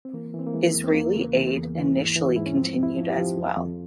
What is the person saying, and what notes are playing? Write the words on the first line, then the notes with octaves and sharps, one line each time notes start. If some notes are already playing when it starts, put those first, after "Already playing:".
Israeli aid initially continued as well.
C4
E3 A#3
E3 C4
A#3
E3 G#3
E2
C4
E2 A#3
C#3
E3
E2
E3
G#2
E3
G#2 E4
C#4
F3 C4
F2
E4
F3
G4
F3
F2
F2